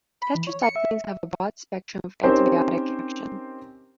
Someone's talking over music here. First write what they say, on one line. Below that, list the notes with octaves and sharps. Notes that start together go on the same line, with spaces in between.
Tetracyclines have a broad spectrum of antibiotic action.
B5
E3
C#5
C#7
E5
C4 C#4 D#4 G4 A#4 C5